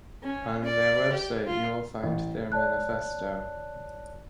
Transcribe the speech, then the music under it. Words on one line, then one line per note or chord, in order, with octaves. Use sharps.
On their website you will find their manifesto.
C#4
D5
G4
F4
A1
C#5 D5 A5 F#6